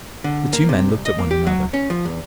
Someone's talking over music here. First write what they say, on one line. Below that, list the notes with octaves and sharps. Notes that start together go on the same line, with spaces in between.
The two men looked at one another.
D3
A#3
C3
C2
D#5
A#3
G4
F#3
C#4
F3
E2